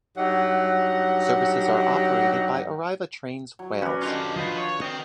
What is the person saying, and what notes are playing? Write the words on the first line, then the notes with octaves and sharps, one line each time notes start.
Services are operated by Arriva Trains Wales.
G2 F#3 D#4 G4 F#5
F#3
C#4 A#4 B4 D5
D3 D#3 F4 G4
F3 F4 B4 C5 D#5
C#5
C4 D#5 G5